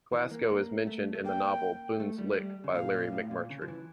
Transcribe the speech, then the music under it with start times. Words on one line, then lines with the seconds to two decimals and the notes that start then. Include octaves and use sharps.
Glasgow is mentioned in the novel "Boone's Lick" by Larry McMurtry.
0.12 E3
0.31 A#3
0.50 A#3
0.87 A3
1.15 A3
1.24 A#3 G5
2.00 A3
2.18 G3
2.31 A3
2.37 G3
2.64 C#3
2.75 A#2 F5
2.94 A#2
3.12 A2
3.31 A#2
3.50 C#3
3.62 F3
3.68 E3